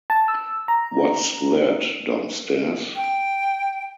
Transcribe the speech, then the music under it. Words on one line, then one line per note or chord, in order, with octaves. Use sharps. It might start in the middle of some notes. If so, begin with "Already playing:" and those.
What's that downstairs?
A5
E6
A#5
G5